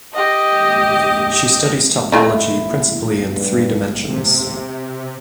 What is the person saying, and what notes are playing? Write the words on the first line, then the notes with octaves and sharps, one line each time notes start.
She studies topology principally in three dimensions.
G4 D#5
D#3 E3 A3 E4
G2
C3